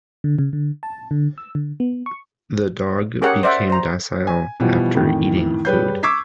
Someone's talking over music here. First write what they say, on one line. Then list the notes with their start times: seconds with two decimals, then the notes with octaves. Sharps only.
The dog became docile after eating food.
0.24 D3
0.39 C#3
0.53 D3
0.83 A5
1.11 D3
1.38 E6
1.55 D3
1.80 B3
2.06 C#6
3.22 C#4 G4 G#4 A#4 C#5 F#5
3.43 C5 D5 E5 F#5
3.70 C5 A#5
4.27 G#5
4.60 B2 E3 F3 G3
4.95 F2 A2 D#3 E3
5.65 G3 G#4 B4 C#5 G6
6.03 C#6 D6 E6 G#6 B6 C7